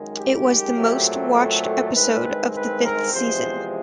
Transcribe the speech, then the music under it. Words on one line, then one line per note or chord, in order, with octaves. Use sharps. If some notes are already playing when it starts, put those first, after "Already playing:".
It was the most watched episode of the fifth season.
Already playing: F#2 D#3 G#3
G4
A#2 F#3 A3 C4
A4
G2 D#3 G#3 C4 B4
B4
A#4
E2 C3 F3 G#3 C5